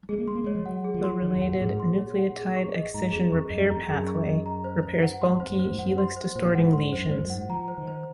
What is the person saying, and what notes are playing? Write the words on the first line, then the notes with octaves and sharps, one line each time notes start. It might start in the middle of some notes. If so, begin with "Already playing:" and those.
The related nucleotide excision repair pathway repairs bulky helix-distorting lesions.
G#3 G#4
A#3
G#3 C6
A#3
G#3 C#5
F3
F#3 F#5
G#4
F3
C6
D#3 C#5
F#2
F2 F#5
A#2
G#2 G#4
A#2 C6
C#5
F#5
G#4
C#6
D#5
G#2 A#5
F2 G#4
F2 C#6
F#2 D#5
F2 A#5
F#2 G#4
C#6
D#5
A#5
C5
C5
F#5
G#2 C6
F2 C5
F#2
C5
G#2
F#2 F#5
C6
C5
A#2 C5
G#2 F#5
G#2 C6
F#2 C5
G#2 C5
F#2
F#5
G#2
F3 A#5
C5
D#3
C5